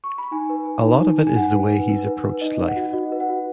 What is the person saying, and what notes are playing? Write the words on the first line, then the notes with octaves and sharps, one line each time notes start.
A lot of it is the way he's approached life.
C#6
B5
D#4 G#5
B4
B4
D#4
D#4
D#4
G#5
D#4 F#5
B4
B4
B4
B4
B4
D#4 D#5
D#4
F#5
F#4
F#4 D#5
B4
F#5
F#4